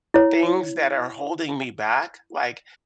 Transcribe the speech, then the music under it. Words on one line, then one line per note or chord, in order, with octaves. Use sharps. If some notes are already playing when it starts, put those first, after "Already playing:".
things that are holding me back, like,
E4 C#5